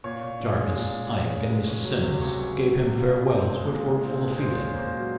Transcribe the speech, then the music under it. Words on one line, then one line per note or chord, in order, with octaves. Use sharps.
Jarvis, Ike, and Mrs. Simmons gave him farewells which were full of feeling.
A#2 C#5
A#2
C#4
G#3
A#2
A#2
C#4
G#3
C#2
C#4
F#3
C3
C#2 C#5
C#4
F#3
C3
A#2
A#2
C4
G#3
A#2
A#2
C4
G#3
A#2 C5
C#4
A#3 C5
F#3